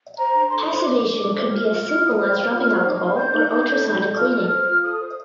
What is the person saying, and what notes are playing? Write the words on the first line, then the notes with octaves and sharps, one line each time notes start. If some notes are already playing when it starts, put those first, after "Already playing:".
Passivation could be as simple as rubbing alcohol or ultrasonic cleaning.
C5 A#5
D4
A4 C6
C5 C6
D4 D6
D4
A4
C5
C5 F6
F4
F4 F6
F4
D#6
C5 F6
F4
F4
C5
D#4
C5
C5 G6
D#4
D#4
A4
D#4
A4
F4 F6
F6
A4
F6
C5
F4
A4 D#6
C5